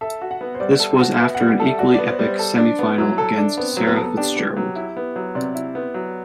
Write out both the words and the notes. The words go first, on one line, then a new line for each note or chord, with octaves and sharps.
This was after an equally epic semi-final against Sarah Fitz-Gerald.
A4 E5
F#4
F#5
B3
C5
G3 D5
A4
C5
F#4
B3 E5
F#5
G3
F#5
A4 E5
F#4 D5
B3 D5
C5
G3
C5
A4
D4
B3
F#3 E4
A4
D4
B3 C4
F#3 C4
B3
A4
B3
D4 G4
B3
F#3
E4
B3
F#3
C3 D5
E4
B3
F#3